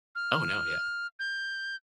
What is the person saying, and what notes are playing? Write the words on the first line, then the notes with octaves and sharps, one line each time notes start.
Oh no, yeah.
F6
G6